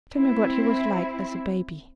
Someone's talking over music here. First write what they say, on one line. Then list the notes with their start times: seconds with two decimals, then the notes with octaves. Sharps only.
Tell me what he was like as a baby.'
0.15 C4 E4